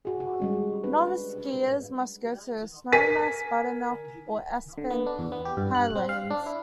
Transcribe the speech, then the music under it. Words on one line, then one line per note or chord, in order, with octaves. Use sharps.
Novice skiers must go to Snowmass, Buttermilk, or Aspen Highlands.
F#4 G#4
F#4
G3 G#3 C#4
D4 B4
A#4 G#5 B6 D#7
D3
B3
D4
E2
B3
G4
G2
F#6
C4
F5
D4
E4